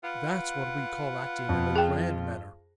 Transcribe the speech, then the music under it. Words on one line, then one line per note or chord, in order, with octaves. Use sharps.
That's what we call acting in the grand manner.
F4 B4 F#5
F2
G#4 G5